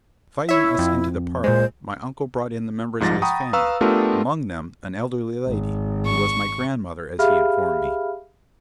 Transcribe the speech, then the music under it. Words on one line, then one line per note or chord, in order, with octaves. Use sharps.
Inviting us into the parlor, my uncle brought in the members of his family, among them an elderly lady, who was my grandmother, as he informed me.
E4 C#5 E5
F2
A#2 G#3 C5
C2 G#2 F3 A6 A#6
F#5 G5 A#5 B5 C#6 D#6
B4 F5 A#5 C#6 E6
A3 B3 D4 F4 G4 A#4
G#1
C#6
G4 G#4 E5 F5 B5 F6